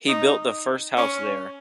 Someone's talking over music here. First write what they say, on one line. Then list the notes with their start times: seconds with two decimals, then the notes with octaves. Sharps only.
He built the first house there.
0.08 D#4
0.98 C#4